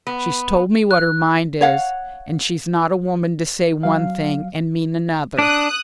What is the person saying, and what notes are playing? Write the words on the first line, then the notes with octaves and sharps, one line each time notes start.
She's told me what her mind is, and she's not a woman to say one thing and mean another.
B3
F#6
C#5 F5 F#5
F#3 F5
D4 D#6 F#6